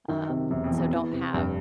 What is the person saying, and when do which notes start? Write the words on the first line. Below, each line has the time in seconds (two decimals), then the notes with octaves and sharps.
um, so don't have,
0.08 F#2 D#3
0.29 C3
0.50 E1 F#2
0.64 F2
0.71 E2
0.78 F2
0.92 E3
1.13 C3
1.33 F1 G2